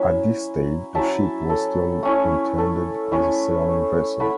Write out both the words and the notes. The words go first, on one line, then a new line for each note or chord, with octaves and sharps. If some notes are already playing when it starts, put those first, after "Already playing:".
At this stage the ship was still intended as a sailing vessel.
Already playing: F#3 C#4 E4 E5
F#3 C#4 E4 E5 A5
A4
A3 C#4 E4
A4
A3 C#4 E4
A3 E4 F#5 B5